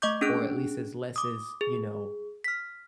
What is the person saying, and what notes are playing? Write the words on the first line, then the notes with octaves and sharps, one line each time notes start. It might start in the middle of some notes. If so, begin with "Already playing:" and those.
or at least as less as you know,
A3 D#5 C#6 D6 G6
C#4 D4 G#4 F#6 D7
D6 D#6
G#4
F6 B6